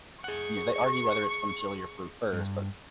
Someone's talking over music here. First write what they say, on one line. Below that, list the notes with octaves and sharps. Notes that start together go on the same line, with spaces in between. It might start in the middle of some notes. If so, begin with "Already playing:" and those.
you know, they argue whether it's from Chile or Peru first, but
G#4 F#5 C#6
G2